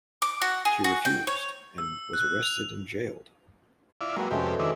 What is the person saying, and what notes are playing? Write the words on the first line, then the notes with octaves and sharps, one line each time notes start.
She refused, and was arrested and jailed.
D6
F#4
G#4
F#4
G5
C#5
E6
F#6
F7
E4 F4 D5
F#3 G#3 A#3 F#4 B4 G5
F2 C3 G#3 A3 C#4 G4
D#3 D4 E4